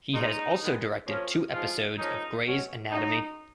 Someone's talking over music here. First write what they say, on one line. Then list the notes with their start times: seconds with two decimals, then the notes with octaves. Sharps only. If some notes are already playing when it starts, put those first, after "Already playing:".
He has also directed two episodes of "Grey's Anatomy".
0.13 A#2 G#3 C#4 D#4
0.60 D#3 G#3 B3
1.06 F#2 F3 A#3 C#4
1.52 G#2 F3 G#3 F4
1.98 G#2 F3 A#3 C#4 D#4
2.44 B2 F#3 C#4
2.90 F#2 C#3 F#3 D#4